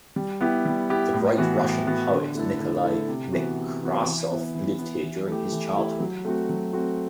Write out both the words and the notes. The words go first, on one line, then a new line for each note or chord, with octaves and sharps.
The great Russian poet Nikolay Nekrasov lived here during his childhood.
G3
B3 E4 G4
G3
B3 E4 G4
A2
E3 B3 F#4
A2
E3 B3 F#4
D3
A3 E4 A4
D3
A3 E4 A4
C3
E3 B3 F#4
C3
E3 B3 F#4
E3
B3 E4
E3
B3 E4
E3
A3 E4 G4
E3
A3 E4 G4
F#3
A3 C4 F#4
F#3
A3 C4 F#4